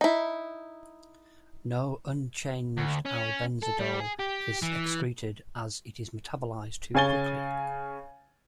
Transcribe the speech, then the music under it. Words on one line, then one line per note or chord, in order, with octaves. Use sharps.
No unchanged albendazole is excreted, as it is metabolized too quickly.
D#4 E4
D2
C#4
A4
G3
G#4
G4
E3
C#3 C#5 G#5 A6 G7